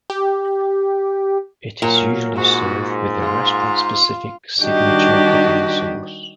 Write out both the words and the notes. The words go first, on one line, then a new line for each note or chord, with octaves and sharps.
It is usually served with a restaurant-specific signature dipping sauce.
G4
A#2 F#3 A#4
G#2 F#4
F4
D#3 G3 D4 F#4 G4 D#5